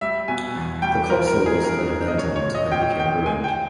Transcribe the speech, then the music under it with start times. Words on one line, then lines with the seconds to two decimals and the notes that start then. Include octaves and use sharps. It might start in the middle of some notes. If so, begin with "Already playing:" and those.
The castle was then abandoned and became ruined.
0.01 G3 E5
0.28 B2 G#5
0.56 E2
0.82 G3 G5
1.10 E3 A#4
1.27 A#4
1.37 E3
1.46 G#4
1.63 G2 A#4
1.91 G2
2.08 D#5
2.18 A#2 C#5
2.36 C#5
2.45 A#2
2.55 D#5
2.72 A#2 G5
2.99 D#4 G5
3.26 G#3 G#5
3.44 G5